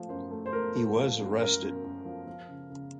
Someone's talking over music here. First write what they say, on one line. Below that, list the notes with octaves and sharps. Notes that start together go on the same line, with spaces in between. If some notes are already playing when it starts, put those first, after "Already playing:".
He was arrested.
Already playing: F3 A3
F#2 C5
A3
C5
A3 A#4
A3
F3
F#2
F#2 A#4
F#2
F#2
F3
F3
C#3
C#3